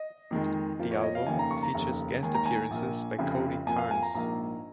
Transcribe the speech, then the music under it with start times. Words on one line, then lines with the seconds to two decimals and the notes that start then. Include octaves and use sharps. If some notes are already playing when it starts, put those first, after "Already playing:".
The album features guest appearances by Cody Carnes.
Already playing: D#5
0.31 F2 D#3 G#3
0.79 F2 F3 A#3
0.91 C#5
1.03 D#5
1.15 F5
1.27 F1 D#2 C#3 G#5
1.39 A#5
1.51 C#6
1.63 A#5
1.74 F1 D#2 C#3
2.23 D#2 D#3 G#3 G#5
2.34 A#5
2.46 G#5
2.70 A#1 A#2 A#3
3.19 F1 F2 C#3 F3
3.67 F2 F3 A#3 G#5
3.78 F5
3.91 G#5
4.02 A#5
4.15 A#1 G#2 F3 A#3 A#5